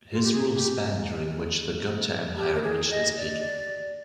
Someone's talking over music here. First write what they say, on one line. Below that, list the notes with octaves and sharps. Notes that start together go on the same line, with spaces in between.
His rule spanned during which the Gupta Empire reached its peak.
F4
G4
G#4
G4
G4
A#4
G#4
D#5
D5